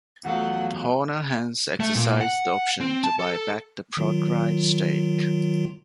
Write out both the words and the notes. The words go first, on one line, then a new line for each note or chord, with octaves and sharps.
Horner hence exercised the option to buy back the Prodrive stake.
E2 F3 F#3 A3 F5 F#5
A3
A#2
F#5
C4
A5
A4
D#3 F#3 F4